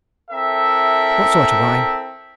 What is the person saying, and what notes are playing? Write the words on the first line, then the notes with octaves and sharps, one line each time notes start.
"What sort of wine?"
C4 E4 A4 A#4 E5